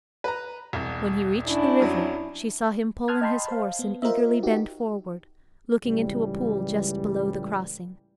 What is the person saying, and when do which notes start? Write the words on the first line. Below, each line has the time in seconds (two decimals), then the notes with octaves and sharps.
When he reached the river she saw him pull in his horse and eagerly bend forward, looking into a pool just below the crossing.
0.24 B4 A#5
0.73 E1 C2
1.47 C#4 D4 E4
1.81 F2 F#3
3.08 A5 C6 D#6 F6 F#6 G#6
3.21 D#5 G5 A5 B5 C6
3.48 C5 F5
3.79 B3
4.02 F4 A#4 C5 D#5 E5
4.43 D#4 F#4 G4
5.85 C#2 A2 E3 G3